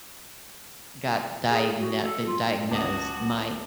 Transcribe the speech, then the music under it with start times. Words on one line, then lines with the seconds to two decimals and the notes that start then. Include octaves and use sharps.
got diagno diagnosed, my
1.48 G#4
1.79 F#4
2.02 A4
2.25 F4
2.71 C#2 F#4 A5 D#6